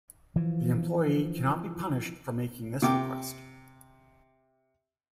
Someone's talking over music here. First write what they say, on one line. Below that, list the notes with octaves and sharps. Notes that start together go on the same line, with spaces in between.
The employee cannot be punished for making this request.
E3 F3
C3 G5 D6